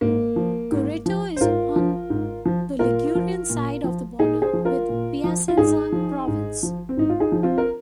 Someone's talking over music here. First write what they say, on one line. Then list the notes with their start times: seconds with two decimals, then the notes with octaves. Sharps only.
Gorreto is on the Ligurian side of the border with Piacenza province.
0.01 G#2 A#3
0.36 F3
0.72 G#2
1.06 F3
1.36 C5
1.41 G#2 F4 A#4
1.76 F3
2.10 G#2
2.45 F3
2.79 A#2 F4 A#4
3.15 F3
3.50 A#2
3.84 F3
4.19 A#2 D#4 G#4
4.42 G#4 C5
4.53 F3
4.65 F4 A#4
4.89 A#2
5.24 F3
5.48 F4
5.57 G#2 D#4 G#4
5.92 F3
6.28 G#2
6.63 F3
6.89 C4
6.97 G#2 D#4
7.10 F4
7.20 D#4 G#4
7.32 F3
7.43 C4 F4
7.58 A#4